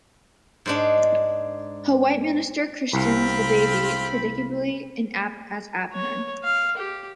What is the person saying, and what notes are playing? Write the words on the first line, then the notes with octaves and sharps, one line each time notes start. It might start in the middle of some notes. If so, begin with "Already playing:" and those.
A white minister christens the baby, predictably, as Abner.
G#2 G#3 D4
C2 C4 F4 B5
C#5
F5
G4